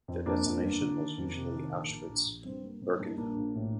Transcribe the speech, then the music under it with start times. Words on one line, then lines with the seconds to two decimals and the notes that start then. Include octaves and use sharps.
Their destination was usually Auschwitz-Birkenau.
0.08 F2
0.26 F2 A#3 D4
0.45 F2
0.63 G1
0.81 D3
1.00 D#3
1.18 F2
1.36 C3
1.55 D#3
1.73 A#1
1.90 A#1
2.09 A#1
2.27 A#1
2.45 G2 C4
2.64 A#3
2.82 G2 C4
2.95 D#4
3.00 G2 A#3 D4
3.11 D#4
3.18 A#1 A#3 D4
3.36 A#1
3.55 A2